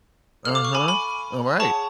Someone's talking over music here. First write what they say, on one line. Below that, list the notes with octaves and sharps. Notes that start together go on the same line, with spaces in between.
Uh-huh. Alright.
A4 F5 F6
D6
C#6
G#5 B5
G#5 B5
G#4 C#5 F#5 A5 C#6